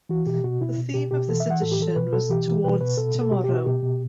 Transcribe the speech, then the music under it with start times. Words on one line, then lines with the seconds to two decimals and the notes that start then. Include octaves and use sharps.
The theme of this edition was "Towards Tomorrow".
0.09 E3 F#4
0.26 B2 G4
0.44 B2 F#4
0.61 B2 E4
0.78 B2
0.94 B2 G4
1.11 B2 G4
1.28 E3 A4
1.40 E5
1.46 E3 F#5
1.62 A2 A4
1.72 G4
1.80 E3 A4
1.96 B2 B4
2.13 B2 A4
2.30 E3 G4
2.47 E3
2.64 B2 B4
2.81 B2 B4
2.97 B2 A4
3.15 B2
3.21 A4
3.31 B2 G4
3.44 G4
3.49 B2 F#4
3.66 B2 G4
3.83 B2